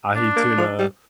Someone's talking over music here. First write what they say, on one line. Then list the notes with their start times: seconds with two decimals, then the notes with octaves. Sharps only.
ahi tuna,
0.16 D4
0.36 A#3
0.58 F3
0.79 G3